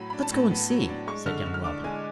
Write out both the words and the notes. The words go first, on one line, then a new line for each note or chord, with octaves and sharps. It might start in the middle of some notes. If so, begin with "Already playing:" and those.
"Let's go and see," said young Robin.
Already playing: A2 F#3 B5
D4 B5
A5
A2
B3
F#3
D4
G#3 C#6
D3 F6
D3
F6
D4 D6
G#3 G#5